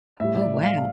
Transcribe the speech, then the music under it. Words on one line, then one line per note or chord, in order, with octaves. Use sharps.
Oh, wow.
A2 G3 E5
D5
F5